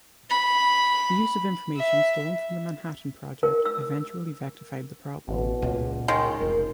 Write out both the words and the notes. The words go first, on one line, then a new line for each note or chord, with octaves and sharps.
The use of information stolen from the Manhattan Project eventually rectified the problem.
B5
E5
A#4
E6
A1 B2
C#2 A#2
D#2 D#3 G#3
F1 A#4